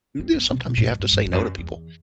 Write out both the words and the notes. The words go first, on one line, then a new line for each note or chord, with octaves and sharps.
and do sometimes you have to say no to people
C4
B3
C3
B2
A2
F#2
G2
G2
F#2
E2
F#2
E2